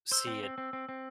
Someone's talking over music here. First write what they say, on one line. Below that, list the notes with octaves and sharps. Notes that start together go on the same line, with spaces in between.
see it
C5 E6
C4
C4
C4
C4
C4